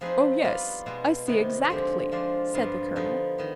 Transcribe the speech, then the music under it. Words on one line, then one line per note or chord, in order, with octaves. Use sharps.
"Oh yes, I see exactly," said the colonel.
F3 C4 D#4 G#4 B4
G3 B3 F4 B4
B2 G#3 B3
C3 D#3 B3
D3 F3 G#3 C4 G4
F3 G#3 D4 F4
G2 F3 B3 F4
D3 F3 B3 D#4
D#3 B3